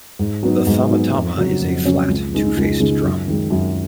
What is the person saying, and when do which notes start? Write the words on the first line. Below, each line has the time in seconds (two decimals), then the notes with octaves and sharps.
The Thammattama is a flat, two faced drum.
0.19 G#2
0.43 F#3 B3 D#4
0.67 G#2
0.89 F#3 B3 D#4
1.13 F2
1.37 C#3 F#3 C#4
1.61 F2
1.85 C#3 F#3 C#4
2.08 C#2
2.32 C#3 G#3 D#4
2.57 C#2
2.79 C#3 G#3 D#4
3.03 F#2
3.28 D#3 G#3
3.50 F#2